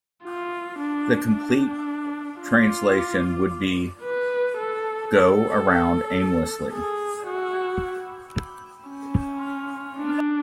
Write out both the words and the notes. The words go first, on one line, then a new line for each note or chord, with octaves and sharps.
The complete translation would be "go - around aimlessly".
F4
D4
D4
F4
B4
A4
A4
G#4
F#4
C#4
D4